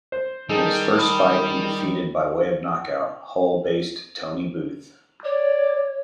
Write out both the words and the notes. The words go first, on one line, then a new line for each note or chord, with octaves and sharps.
In his first fight he defeated by way of knockout, Hull-based Tony Booth.
C5
D#3 G3 D#4 G#4 A4
B5 D#6
C#5 D5